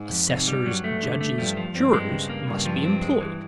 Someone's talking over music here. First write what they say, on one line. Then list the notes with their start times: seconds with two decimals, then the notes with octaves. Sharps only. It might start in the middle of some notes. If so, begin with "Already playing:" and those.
Assessors, judges, jurors, must be employed.
Already playing: G#2
0.11 F2
0.30 G#2 C3
0.48 G3
0.65 G2 F#3
0.84 A3
1.03 D3
1.21 A3
1.38 G2 F3
1.57 F3
1.75 G2 C4
1.93 G#3
2.11 C#3
2.30 A#3
2.47 G2 C#3
2.66 F3
2.84 C4
3.02 G#3
3.21 E3